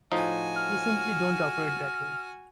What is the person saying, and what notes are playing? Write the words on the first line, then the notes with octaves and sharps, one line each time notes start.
We simply don't operate that way.
A2 F3 D#4 F#4 G#5
F6